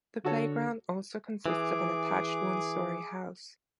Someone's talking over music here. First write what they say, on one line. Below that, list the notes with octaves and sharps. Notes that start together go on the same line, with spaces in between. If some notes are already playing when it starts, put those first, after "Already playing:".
The playground also consists of an attached one-story house.
D3 F#4 A4 C#5
E3 G#4 D6